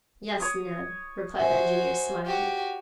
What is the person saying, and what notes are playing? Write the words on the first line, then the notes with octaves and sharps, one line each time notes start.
"Yes, Neb," replied the engineer, smiling.
C#5 D#6
F#4 C5 E5 G#5
F#4 G4